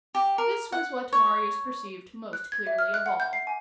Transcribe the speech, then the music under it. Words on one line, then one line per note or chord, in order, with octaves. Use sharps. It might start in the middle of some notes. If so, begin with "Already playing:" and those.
This was what Marius perceived most clearly of all.
G4
A#4
F#5
C#5
F#6
G#6
E5
F6
F#6
F#5
G6
C7
G#5